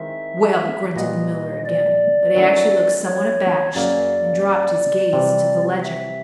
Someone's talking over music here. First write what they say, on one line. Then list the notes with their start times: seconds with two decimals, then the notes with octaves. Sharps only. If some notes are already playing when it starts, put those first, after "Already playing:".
"Well!" grunted the miller again, but he actually looked somewhat abashed and dropped his gaze to the ledger.
Already playing: D#3 G#3 C4 E4 E5
0.96 A#2 G3 B3 D#5
1.66 D5
2.35 D#3 F#3 A3 C#4 E4
3.05 C#5
3.74 F#2 C#3 F#3 A#3 D5
5.13 C3 E3 G3
5.83 E5